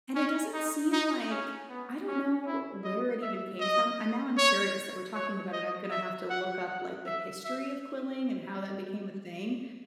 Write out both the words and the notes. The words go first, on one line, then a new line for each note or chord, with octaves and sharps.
and it doesn't seem like I don't know where it even came from, and now I'm curious that we're talking about it, I'm gonna have to look up, like, the history of quilling, and how that became a thing.
C#4
D#4
D#4
C#4
B3
C#4
E4
D#5
E5
D#5
C#5
C#5
D#5
E5
F#5
F#5
E5
E5